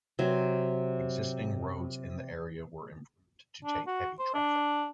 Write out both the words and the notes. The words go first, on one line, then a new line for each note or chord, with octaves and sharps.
Existing roads in the area were improved to take heavy traffic.
C3 F#3
D4
F#4
C5
D4